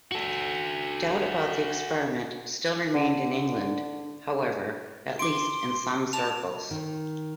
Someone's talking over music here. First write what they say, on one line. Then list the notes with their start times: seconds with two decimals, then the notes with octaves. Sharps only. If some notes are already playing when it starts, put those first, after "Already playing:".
Doubt about the experiment still remained in England, however, at least in some circles.
0.12 F#4 A4
2.94 D3
5.19 C6 D6 D7
6.13 A5 F7
6.71 D#3